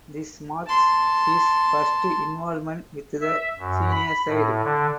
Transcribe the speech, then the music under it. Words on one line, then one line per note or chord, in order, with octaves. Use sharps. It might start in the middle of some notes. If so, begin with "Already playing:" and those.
This marks his first involvement with the senior side.
A5 C6
E5
F#2
B5
A2
D3